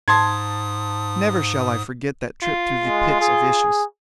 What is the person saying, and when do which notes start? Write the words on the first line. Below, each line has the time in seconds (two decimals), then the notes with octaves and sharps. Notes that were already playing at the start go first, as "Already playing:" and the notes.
Never shall I forget that trip through the pits of Issus.
0.08 G#2 A5 C6 D#6 G#6
2.42 F4
2.84 G#3
3.21 G#4